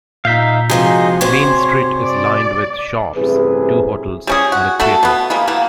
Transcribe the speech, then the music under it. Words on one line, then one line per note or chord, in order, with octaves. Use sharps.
Main Street is lined with shops, two hotels and a theatre.
A#2 D#4 E5 F5 G6 B6
C3 F3 G#3 D#4 F#4 G#4 D#5
G#2 C3 C5 C#5
D5
A1 G2 C3 E4 G#4 B4
G3 C#4 G#4
F#4
A3 F#4 A4
B2 B3
G3 G#3 A#3
B2 E3 A#3